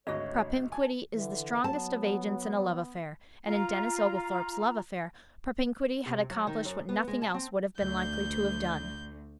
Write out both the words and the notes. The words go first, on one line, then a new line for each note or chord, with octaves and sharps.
Propinquity is the strongest of agents in a love affair, and in Denis Oglethorpe's love affair, propinquity had accomplished what nothing else would have been likely to have done.
G#1 D2 F#4 C#5 D#5
G#5 A5
D3 E3
F#3 B3 A5
F4 A#5
C3
F#3
D#3
F#2
B3
G#3
A5
C4
D2 G6